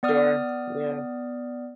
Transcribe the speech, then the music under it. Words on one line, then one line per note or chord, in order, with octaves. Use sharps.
Sure. Yeah.
B3 D5 D#6 F6